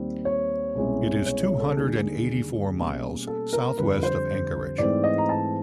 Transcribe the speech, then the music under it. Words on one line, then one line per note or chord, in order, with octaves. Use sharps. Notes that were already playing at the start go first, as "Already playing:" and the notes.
It is two hundred and eighty-four miles southwest of Anchorage.
Already playing: D#2 D#3 G3 C4
C#5
C2 B2 G#3 C#4 E4
C#5
C#5
A4
D#2 D3 G3 A#3 D#4 G#4
B2 G3 A#3 C#4
A4
A#4
F2 D3 G3 B4
C5
G#2 E3 A3 C4 D5
D#5
A#5
A5